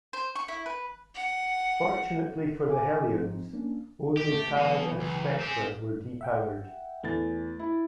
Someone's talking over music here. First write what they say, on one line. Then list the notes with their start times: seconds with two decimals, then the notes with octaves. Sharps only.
Fortunately for the Hellions, only Tag and Specter were depowered.
0.13 C5
0.35 C#6
0.48 E4
0.66 B4
1.15 F#5
2.70 G#5 D6
3.10 F3 C4 D#4
3.53 A#3 C#4 D4
4.17 B2 G4
4.29 A3
4.56 B2 E3 F#3
5.00 C#2
5.41 C4 G4 G#4
6.21 E5 F#5 G5
7.03 E2 A3 A6
7.59 E4